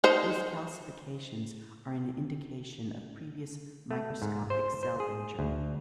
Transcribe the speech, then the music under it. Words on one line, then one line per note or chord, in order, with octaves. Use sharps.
These calcifications are an indication of previous microscopic cell injury.
D#4 C5
A3
G#2
C5
C5
G#4
D2